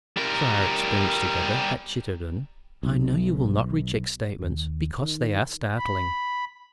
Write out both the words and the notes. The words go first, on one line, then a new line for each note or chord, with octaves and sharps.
After our experience together at Chittenden I know you will not reject statements because they are startling.
G3 A#4
B1
D#2
D#3
B5